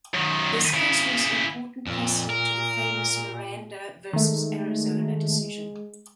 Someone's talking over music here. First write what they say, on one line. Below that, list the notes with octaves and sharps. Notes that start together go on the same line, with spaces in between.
This case was an important precedent to the famous "Miranda versus Arizona" decision.
F#2 D#3
C#3 E4
F2 A#2
A#4
D#3 G#3 A3